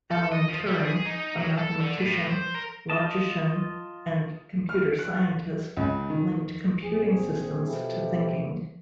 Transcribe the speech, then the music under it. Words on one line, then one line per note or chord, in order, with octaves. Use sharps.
Alan Turing, a mathematician, logician and computer scientist, linked computing systems to thinking.
A4
D#5
F3
G3
G#4
D#4
F#3
A4
D3
A2
C5
A#4
F4 D#5 A5
F6
F#6
C#2
D#3
A#1 C4 G#4
B2 F3 E4 G4 A4